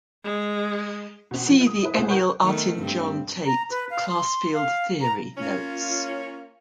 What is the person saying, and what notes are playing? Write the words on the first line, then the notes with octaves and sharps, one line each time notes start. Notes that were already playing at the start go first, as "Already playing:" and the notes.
See the Emil Artin-John Tate "Class Field Theory" notes.
G#3
B2 C4
F3
D#6
E4 B4
C2 B2 G#4 C5
A#4 B4 F#5 G5 C#6 G6
D#3 A3 B3
G2 C4
A#5
B4
F5
C6
F5
A#5
A#3 C#4 F4